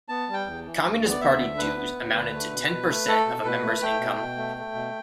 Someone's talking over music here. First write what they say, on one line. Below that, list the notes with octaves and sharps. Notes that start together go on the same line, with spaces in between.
Communist Party dues amounted to ten percent of a member's income.
B3 A5
G3
G5
E2
E3
D2
B3
D5
D2 E5
D3
D2 B4
B3
D2
D3
A3
B2
B2
A3
A3 A4
B2
B2 B4
A3
A3 G5
B2
B2
A3
A3
B2